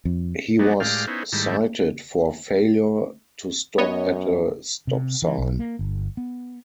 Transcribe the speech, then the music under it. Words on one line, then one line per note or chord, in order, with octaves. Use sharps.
He was cited for failure to stop at a stop sign.
F2
F#3 B3 D4 D#4
A2 G#3 G4 D5 F5 F6
B3 C#4 D#4 E4 C5
G#2 D#3 G3 A3 E4
F#2 B3 C#5 D#5
C3
E3
B1
A#3
G1
B3